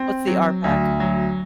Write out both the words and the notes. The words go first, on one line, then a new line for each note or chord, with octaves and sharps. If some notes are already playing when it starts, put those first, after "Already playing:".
What's the RPAC?
Already playing: C4
F#3
D2
F#3